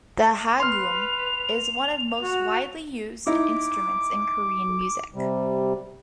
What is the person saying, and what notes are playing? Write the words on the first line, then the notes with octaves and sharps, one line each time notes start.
The "haegeum" is one of the most widely used instruments in Korean music.
B4 C6 F6 F7
F#4
D#4 E4 D6
C3 G3